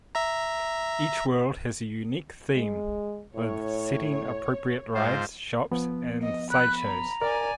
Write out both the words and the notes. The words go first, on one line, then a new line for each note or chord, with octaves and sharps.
Each world has a unique theme, with setting-appropriate rides, shops, and sideshows.
E5 A#5
G#3
A2 C#5
G#2 F4 C5
F3 B3
D#5
B5 F#6
A#5
A#4 D5 G#5